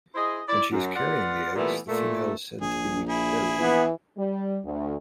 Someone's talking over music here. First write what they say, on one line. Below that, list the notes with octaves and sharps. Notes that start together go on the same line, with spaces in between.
When she is carrying the eggs, the female is said to be "berried".
E4 G#4 C5 D#5
E4 D5
F#2
F4 B4 D5 F5 F#5
A#2 E3 G3 A3 B3
A#2 A3
A#1 G#4
E4 G#4
E3 B3
G3
D2